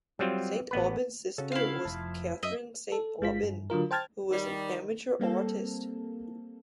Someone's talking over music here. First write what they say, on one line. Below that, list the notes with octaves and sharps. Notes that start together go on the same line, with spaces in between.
Saint Aubyn's sister was Catherine Saint Aubyn, who was an amateur artist.
F#3 G3 C4 F4
A1 B3 B4
C#3 C#4 F#4 A4
E4 F5
F1 F2 F3 A5
F#2 D#5 E5
A4
G1 G#3 F4 B6
G2
D3 F#3 F4 A#4
C5 G5 A5 F6 G#6 A6
D#3 G3
G3 A#3 C4 A4